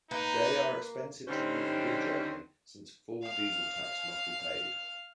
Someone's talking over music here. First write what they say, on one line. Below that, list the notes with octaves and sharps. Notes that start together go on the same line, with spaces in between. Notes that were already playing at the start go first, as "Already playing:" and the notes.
They are expensive to use within Germany since full diesel tax must be paid.
A#3 D#4 B4
D3 G3 C4 C#4 D#4 C5
F5 F6